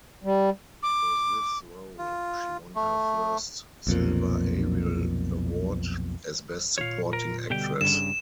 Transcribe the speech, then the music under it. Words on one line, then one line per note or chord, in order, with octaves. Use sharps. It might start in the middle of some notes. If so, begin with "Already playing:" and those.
For this role, she won her first Silver Ariel Award, as Best Supporting Actress.
G3
D6
F4
A3
B1 F2 A#2
A#2 F4 C#5 F5
A#4
B2 D3 G3 G4 G5
G2 C#3 E7